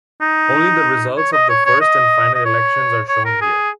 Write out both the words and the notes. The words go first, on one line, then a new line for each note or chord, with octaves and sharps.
Only the results of the first and final elections are shown here.
D#4
C#5
D#5
C#5
C#5
D#5
D#5
C#5
C#5
A#4
G#4